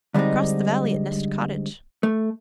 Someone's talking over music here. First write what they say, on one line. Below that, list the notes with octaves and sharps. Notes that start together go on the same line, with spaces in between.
"Across the valley at Nest Cottage!"
D3 G3 G#3 C4 D#4
A3